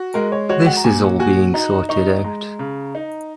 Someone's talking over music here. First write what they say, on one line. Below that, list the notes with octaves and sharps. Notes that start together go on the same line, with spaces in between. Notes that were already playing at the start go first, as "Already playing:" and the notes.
This is all being sorted out.
Already playing: F#4
G#3 A#4
C#5
F#4 C#5
F#5
A#5
A#2 G#5
F#4 G#5
D#4 A#5
D#4 C#6
G#3 A#5
C#3
D#4